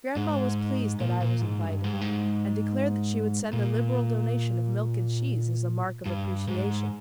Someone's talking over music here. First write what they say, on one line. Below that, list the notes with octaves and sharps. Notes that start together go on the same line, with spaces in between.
Grandma was pleased that I was invited, and declared that she would send a liberal donation of milk and cheese as a mark of appreciation.
G#2
A#2
A#2
G#2
G2
G#2
G2
G#2
A#2
G2
G#2